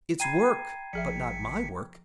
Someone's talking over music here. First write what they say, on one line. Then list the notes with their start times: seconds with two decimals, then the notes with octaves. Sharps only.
It's work--but not my work.
0.20 G5 A#5 B5 G#6 C7 D#7
0.93 G#1 F3 G#4 E5 B6 C#7